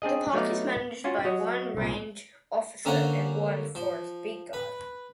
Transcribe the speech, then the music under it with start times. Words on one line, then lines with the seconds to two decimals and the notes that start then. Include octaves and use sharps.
The park is managed by one range officer and one forest beat guard.
0.02 C4 D4 G#4 D#5
0.33 F#3 A3 B3 D#4 D5 F5
1.04 C#4 F4 F#4
1.25 F#3 F#4 C#5 D#5
1.77 C2 A#2
2.85 D3 A#3 C#4 A#4 C5 F#5
3.75 F3
4.53 B4